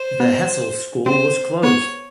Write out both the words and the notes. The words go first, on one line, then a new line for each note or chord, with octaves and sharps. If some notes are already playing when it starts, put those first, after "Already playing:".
The Hessel School was closed.
Already playing: C5
B3
C4 C5
B3 C#5